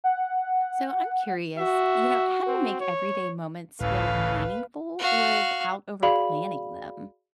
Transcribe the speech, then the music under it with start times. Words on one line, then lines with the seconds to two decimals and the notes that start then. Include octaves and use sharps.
So, I'm curious, you know, how do you make everyday moments feel meaningful without over-planning them?
0.04 F#5
1.58 F#4 E5
2.47 C4
2.80 C#5
3.81 G1 C#2 A2 C#3 E3 A3 B4 F5
4.99 F#4 F5
6.02 F#4 G#4 D5 F5 B5 F#7